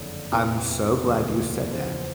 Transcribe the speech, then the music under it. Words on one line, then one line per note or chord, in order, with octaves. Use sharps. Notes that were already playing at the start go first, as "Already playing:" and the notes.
I'm so glad you said that.
Already playing: F#1 F2 D3 C#5
E2 C3 E3
D2 C#3 F3 A#3
E2 C#3 F3 C5